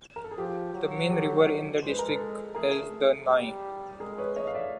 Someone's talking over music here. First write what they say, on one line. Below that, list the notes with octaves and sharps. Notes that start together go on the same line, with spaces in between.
The main river in the district is the Nahe.
A#4
A4
G#4
F3 G4
F#3
G4 A4
G#3 C5
B4
A#4
A4 B4
A3 G#4 A#4
A3
G3
G#3 G#4 A#4
B4 C#5
A3 C#5 D#5
F5
D5 E5